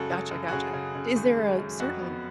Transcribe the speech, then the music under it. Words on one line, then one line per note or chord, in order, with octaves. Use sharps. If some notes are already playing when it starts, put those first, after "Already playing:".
Gotcha, gotcha. Is there a certain
Already playing: F#2 C#3 G#3 F#4 A4
C#3
F#2
F#4
C#3 G#4
C#3
C#3
G#1
G#3
F#2
F2 F#4
B3